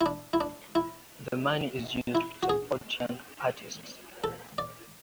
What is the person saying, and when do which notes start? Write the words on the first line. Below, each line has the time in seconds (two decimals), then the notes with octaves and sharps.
The money is used to support young artists.
0.01 E4
0.06 D4
0.33 E4
0.41 D4
0.75 E4
2.15 E4
2.43 F#4
2.49 G#4
4.24 A4
4.58 D5